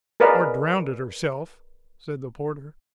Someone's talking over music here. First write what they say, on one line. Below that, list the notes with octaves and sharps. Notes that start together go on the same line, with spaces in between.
"Or drownded herself," said the porter.
G#4 A#4 B4 D5 D#5 F5